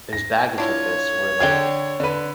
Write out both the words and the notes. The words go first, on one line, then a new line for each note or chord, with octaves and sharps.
there's baggage with this where, like,
A#6
D4 E4 F4 C#5
D3 G#4 D5 G5 G#6
D3 B4